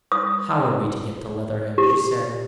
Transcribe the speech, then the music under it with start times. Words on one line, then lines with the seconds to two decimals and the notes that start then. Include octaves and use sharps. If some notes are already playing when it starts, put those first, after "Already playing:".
"How are we to get to Leatherhead?" she said.
0.12 D#6
1.78 G4